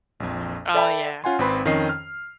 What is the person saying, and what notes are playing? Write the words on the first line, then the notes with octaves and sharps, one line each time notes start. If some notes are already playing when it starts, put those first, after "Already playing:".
Mhm. Oh, yeah.
A#1 F2
A4 D5 E5 G5 A5 B5
C#4 F4 F#5 G#5 C6
G#1 C4 B4 B5 C6
F2 D#3 C#4 D#5 C7
F6